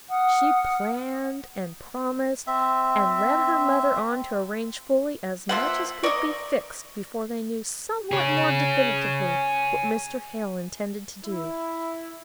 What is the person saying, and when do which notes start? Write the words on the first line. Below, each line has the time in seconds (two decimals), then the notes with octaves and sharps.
She planned and promised, and led her mother on to arrange fully as much as could be fixed before they knew somewhat more definitively what Mr. Hale intended to do.
0.11 F#5 D#6 F6
2.47 C4 E5
5.49 F3 A#3 C5 E5 F#5
6.03 A#4 D5 D#5 C#6
8.11 G#4 C#5
11.25 E4